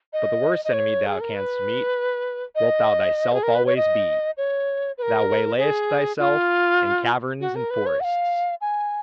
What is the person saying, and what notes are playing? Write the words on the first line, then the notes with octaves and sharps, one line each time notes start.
But the worst enemy thou canst meet, wilt thou thyself always be; thou waylayest thyself in caverns and forests.
D#5
D#5
C#5
G#4
A#4
B4
D#5
G#4
A#4
B4
C#5
D#5
C#5
B4
A#4
G#4
F4
F#4
A#4
B4
C#5
F#5
F5
G#5